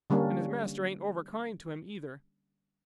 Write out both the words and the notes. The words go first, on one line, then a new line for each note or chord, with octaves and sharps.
And his master ain't over kind to him either.
D3 G3 A#3 C#4 D4